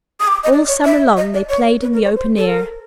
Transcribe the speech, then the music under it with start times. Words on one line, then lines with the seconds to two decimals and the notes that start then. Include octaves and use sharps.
All summer long they played in the open air.
0.20 D#6
0.28 D6
0.44 D#5
0.53 D5
0.68 C#5
0.84 E5
1.17 D#5
1.34 D5
1.49 C#5
1.82 B4
1.93 A#4
2.04 C#5
2.16 C5
2.37 A4
2.47 A#4